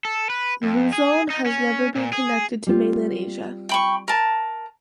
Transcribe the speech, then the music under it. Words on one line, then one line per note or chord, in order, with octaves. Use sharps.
Luzon has never been connected to mainland Asia.
A4
B4
F2
G#4
D#4
C#4
A#2
G#4
G3 C4 F4
G5 B5 C#6
A#4 A5